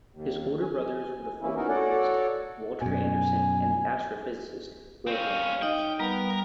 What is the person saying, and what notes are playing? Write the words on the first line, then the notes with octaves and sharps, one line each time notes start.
His older brothers were the folklorist Walter Anderson and the astrophysicist Wilhelm Anderson.
D#2
G#5
E3 A#3 C#4 E4
B3 C#4 D#4 E4 F#4 A#4
F#4 A4 C#5 D5 F#5
F#2 B2 G#5
C4 C#4 F5
D#4 D#5 G5
G3 B3 A#4